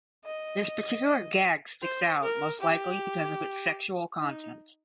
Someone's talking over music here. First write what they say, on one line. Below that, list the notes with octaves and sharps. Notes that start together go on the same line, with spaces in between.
This particular gag sticks out, most likely because of its sexual content.
D#5
C5
A#4
G4
D#4